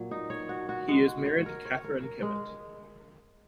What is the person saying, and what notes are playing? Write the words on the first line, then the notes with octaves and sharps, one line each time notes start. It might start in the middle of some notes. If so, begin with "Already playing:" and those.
He is married to Catherine Kimmitt.
Already playing: A#2 F#3
D#4
C#5
F#4
F#4
G#3
F#4
C#5
A#4
C#5
A#4
A#4
G#3